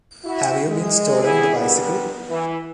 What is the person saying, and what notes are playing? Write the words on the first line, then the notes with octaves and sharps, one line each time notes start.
Have you been stolen the bicycle?
E4 F#4
G#3
E3 G3 B3 E4 G#4
D3 D#3 G3 B3
E3